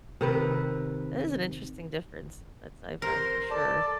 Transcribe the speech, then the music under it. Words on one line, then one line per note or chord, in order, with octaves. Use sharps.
That is an interesting difference that's I found for sure.
C3 D#3 B4
A#4 C5
A4 D5 A5